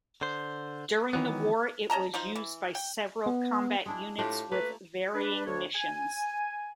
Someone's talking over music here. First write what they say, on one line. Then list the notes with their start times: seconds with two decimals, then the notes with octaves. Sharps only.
During the war it was used by several combat units with varying missions.
0.21 D3 C5
1.13 D#3 E3 F#3 B3
1.90 C#4 D#5 A5 A#5
2.14 F3 D#4 C5
2.35 E3
2.75 G5
3.26 B3
3.86 G#3 D4 E4
4.18 A2 D4 F4 G4
4.51 A3 A#3 B4
5.15 D4 B4
5.47 D2 D4 C#5
5.76 G#5